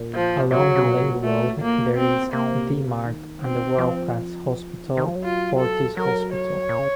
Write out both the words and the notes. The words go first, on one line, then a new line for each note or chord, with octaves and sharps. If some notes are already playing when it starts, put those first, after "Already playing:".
Along the link road, there is D-Mart and the world-class hospital - Fortis Hospital.
Already playing: A#2
F3
A#2 F#3
D#3
C#3
C#3
A#2
A3
A#3
C4
C3 A#3
D#3
C4
F3
D#3
D#3
F3
F#3
F4
A4
F#3 A#4
C#5
A#2
C#3